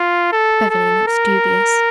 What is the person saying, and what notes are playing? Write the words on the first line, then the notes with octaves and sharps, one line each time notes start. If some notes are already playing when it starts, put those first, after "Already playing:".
Beverly looked dubious.
Already playing: F4
A4
A4
A#4